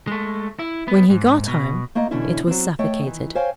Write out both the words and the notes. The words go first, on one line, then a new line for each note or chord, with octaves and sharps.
When he got home, it was suffocated.
G#3 A3
E4
B3
G#2
B2
A3 A#3 F4 D#5 A#5
B2 D3 E3 C#4 E4 C#5
F#3 C4
A3 C#5 D#5 G5
D#3 E3
C5 C#5 F5 G5 G#5